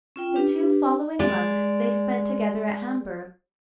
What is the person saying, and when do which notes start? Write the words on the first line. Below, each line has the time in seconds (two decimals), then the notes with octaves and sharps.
The two following months they spent together at Hamburg.
0.16 C#4 F4 G5
0.36 D4 G4 B4
1.19 G#3 D5